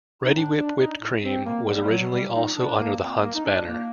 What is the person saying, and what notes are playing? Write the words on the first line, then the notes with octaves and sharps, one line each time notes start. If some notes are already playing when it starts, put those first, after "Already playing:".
Reddi-wip whipped cream was originally also under the Hunt's banner.
D#4
A2 D4
D4
D#4
A2
C4
A#3
A2 G3
G3
F#3
G3
A#2 D#4
D4
A#3
A#2 C4
A#3
D#4
D4
A#2 A#3